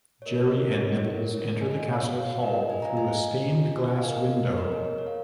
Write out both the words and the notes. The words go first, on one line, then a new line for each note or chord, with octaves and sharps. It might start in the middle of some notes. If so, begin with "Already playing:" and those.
Jerry and Nibbles enter the castle hall through a stained-glass window.
C#5
A#3 F4 G#4 A#4 D#5
C#5
A#4
D#5
C#5
A#4
C#5
A#4
C#4 F4 G#4 C#5
D#5 G#5
C#5 F5
C#5 F5
C#4 F4 G#4 A#4 D#5
D#5 G#5
F5 A#5
D#5 G#5
C#4 F4 G#4
G#5
F5
A#4 D#5
A#3 C#4 G#4 A#4 D#5
C#5
A#4
C#5
F5